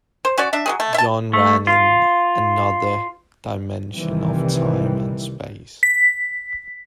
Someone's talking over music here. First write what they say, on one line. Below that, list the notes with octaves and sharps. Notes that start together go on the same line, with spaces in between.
John ran in another dimension of time and space.
C5
C#4 F#4 C#5 D5
D4 E5
F#3 C#4 G#4
A3
E5 A5
A3
F4
F1 C2 C3 D#3 E3 G3
B6